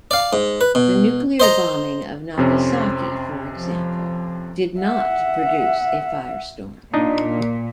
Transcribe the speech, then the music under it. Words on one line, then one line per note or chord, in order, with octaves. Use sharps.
The nuclear bombing of Nagasaki for example, did not produce a firestorm.
D5 F5
G#2
B4
B2
C5 D#5 A#5
F2 C3 C4 C#4
F3
E5 F#5
A#2 D4 D#4 D#5